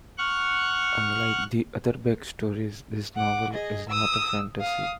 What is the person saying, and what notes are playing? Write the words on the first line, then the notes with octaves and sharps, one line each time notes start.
Unlike the other Bek stories, this novel is not a fantasy.
F#5 C#6 F6 F#6
F#5 D6
G#4 D#5
D#6 E6
F5 D#6